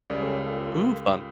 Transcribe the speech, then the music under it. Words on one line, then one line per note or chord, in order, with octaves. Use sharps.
Ooh, fun.
C#2 C#3 G3 A#4 D5
A4 C#5
F4 A4
A#4
F4 A4